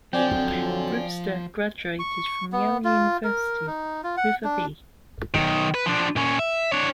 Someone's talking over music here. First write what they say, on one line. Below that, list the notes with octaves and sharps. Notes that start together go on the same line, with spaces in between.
Brewster graduated from Yale University with a B.
F2 D3 F3 F#3 C4 D5 G5 G#5
C#6
B3
F4
A#4
D#4
F4
F#5
D4
B1 D#3
B4
F3 D4
A#2 C#4
E5
D4 C#5